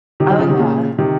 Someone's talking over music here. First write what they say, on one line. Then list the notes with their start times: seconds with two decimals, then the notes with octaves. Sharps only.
Oh, yeah.
0.20 C3 D#3
0.30 D#3 F#3
0.39 C#3 F3
0.49 C3 D#3
0.59 A#2 C#3
0.98 C3 D#3